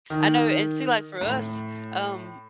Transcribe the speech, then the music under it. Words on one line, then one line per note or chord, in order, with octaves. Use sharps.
I know, and see, like, for us, um
D#3
A2